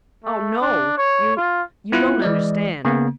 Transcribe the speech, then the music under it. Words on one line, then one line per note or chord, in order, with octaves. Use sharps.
"Oh NO--you--you don't understand."
A3
D4
C#5
F4
B3 E4 F4 F#6
E3 G#3 D5 D#5
C#3 A#3 B3